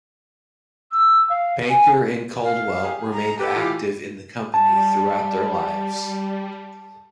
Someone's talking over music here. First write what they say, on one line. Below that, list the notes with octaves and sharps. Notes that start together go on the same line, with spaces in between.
Banker and Coldwell remained active in the company throughout their lives.
E6
F5
G#5
F5
G4 G#4
A#5
G4 A4 B4 G5
A2 E3 F4
G3 A5